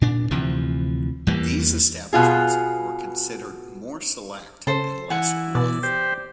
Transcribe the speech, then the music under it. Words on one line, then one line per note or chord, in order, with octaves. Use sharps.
These establishments were considered more select and less rough.
A#2 D4
D2 C3 E3 F3
E2 E3 G3 A#3
B2 F4 G#4
C#3 A4 C5
E3 F#5 G#5
B2 D5
G4 C5 G5